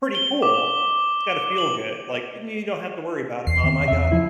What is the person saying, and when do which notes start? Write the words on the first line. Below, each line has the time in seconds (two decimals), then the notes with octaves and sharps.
pretty cool. It's gotta feel good. Like, "And you don't have to worry about it, mom. I got it."
0.15 G7
0.42 D6
1.58 F#7
3.47 E2 C7
3.64 D#3 B3 C4
3.88 E2 C#3 E5
4.12 F3 E4